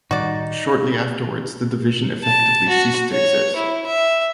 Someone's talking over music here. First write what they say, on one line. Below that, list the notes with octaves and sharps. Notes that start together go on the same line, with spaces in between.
Shortly afterwards the division effectively ceased to exist.
A2 D#3 G3 D#4 F#4 D5
A5
F#4
C#5
E4
E5